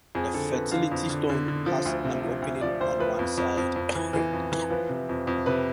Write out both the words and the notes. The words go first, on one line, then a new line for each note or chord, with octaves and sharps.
The fertility stone has an opening on one side.
F2 G#4
D3 A4
F2 B4
D3 F5
F2
D3
D3
D3
F3
D2
C3
F3
D2
F3 D5
D2 C5
F3 B4
F2
F2
F2
F2
E3
E3
F2
E3
F3 B4
C3
F2
F2
C3 B4